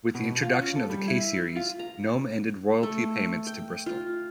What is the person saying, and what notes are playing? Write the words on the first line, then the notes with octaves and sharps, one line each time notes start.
With the introduction of the K-series, Gnome ended royalty payments to Bristol.
B2
F4
C#4
A4
G3
E4
F4
A#5
A3
G5
F4